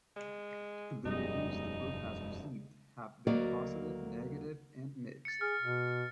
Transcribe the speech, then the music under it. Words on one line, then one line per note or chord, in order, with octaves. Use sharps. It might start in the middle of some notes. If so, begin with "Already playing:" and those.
The reviews the book has received have been positive, negative, and mixed.
G#3
E1 F#2 G3 G#3 D#4 D#5
D2 F#3 A#3 F#4 D5 D#5
A6 C#7
G#4 F6
B2